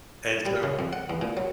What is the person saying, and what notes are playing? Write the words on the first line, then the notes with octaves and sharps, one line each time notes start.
and so
G3
C#3
F2
F#5
E2
A#2
F#3